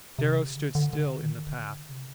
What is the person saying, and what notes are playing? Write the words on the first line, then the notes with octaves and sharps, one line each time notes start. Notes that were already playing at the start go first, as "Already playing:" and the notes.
Darrow stood still in the path.
C3
C#3
D3
D3
D3
D#3
D3
C#3
C3